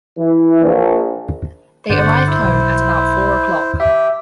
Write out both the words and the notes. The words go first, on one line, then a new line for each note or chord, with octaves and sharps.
They arrived home at about four o’clock.
E3
A#1
G1 D3 C5 D5 F#5
E4 C5
B1
G4 E5 G5